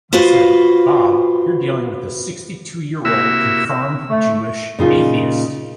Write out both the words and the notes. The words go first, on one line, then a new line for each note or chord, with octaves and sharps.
I said, 'Bob, you're dealing with a sixty-two-year-old confirmed Jewish atheist.
F4 F#4 B4 C5 F5
C3 A#3 E4 F#4 E5 E6
A3
A#2 C#3 D#4 F4